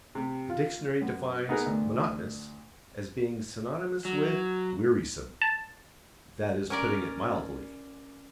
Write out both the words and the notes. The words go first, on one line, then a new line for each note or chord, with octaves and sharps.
The dictionary defines "monotonous" as being synonymous with "wearisome." That is putting it mildly.
C3 G4
F4
F#2
B3 D#4 G#4 A#4 B4 A#5
D2
F#3
A5
C#4 A#4 D5